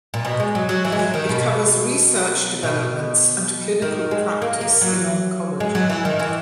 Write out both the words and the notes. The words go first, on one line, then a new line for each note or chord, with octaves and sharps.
It covers research developments and clinical practice in oncology.
A#2
B2
G#3
F#3
F#3
E3
G#3
F#3
D#3
B2
B2
D#3
G#3
A#3
A#3
F#3
G#3
F#3
E3
D#3
E3